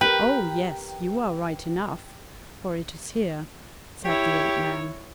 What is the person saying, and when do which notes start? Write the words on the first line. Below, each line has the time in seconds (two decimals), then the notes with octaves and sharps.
"Oh! yes, you are right enough, for it is here," said the old man.
0.01 G4 A#4 B4 G5
4.05 E4 G4 C#5